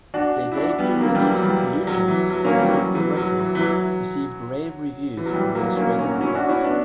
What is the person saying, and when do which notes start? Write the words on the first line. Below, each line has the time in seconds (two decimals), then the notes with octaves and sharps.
Their debut release "Collusions", on Freefall Records, received rave reviews from the Australian press.
0.14 D4 F#4
0.52 E4
0.57 D4 F#4
0.78 G3 B3
1.00 F#3 A#3
1.15 E3 G3
1.29 F#3
1.43 E3 G3
1.87 F#3
2.08 E3
2.30 F#3
2.45 A#3 C#4
2.59 E3 G3
2.73 F#3
2.95 E3
3.17 F#3
3.39 E3
3.55 E3
3.61 F#3
5.17 E3
5.26 F#3
5.33 E3 G3
5.55 F#3 A#3
5.77 A#3 C#4
5.99 A#3 C#4
6.11 F#4
6.21 C#4 E4
6.35 D4 F#4
6.49 C#4 E4
6.64 B3 D4